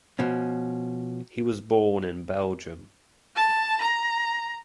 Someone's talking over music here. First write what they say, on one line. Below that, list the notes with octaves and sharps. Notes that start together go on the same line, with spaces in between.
He was born in Belgium.
B2 F3 C#4
A5
A#5